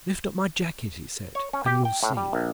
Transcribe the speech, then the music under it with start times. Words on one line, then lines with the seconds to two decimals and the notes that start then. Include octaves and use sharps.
"Lift up my jacket," he said, "and you'll see."
1.35 C#5
1.53 C#4
1.66 G4
1.85 G5
2.03 A2
2.17 G3
2.33 A#1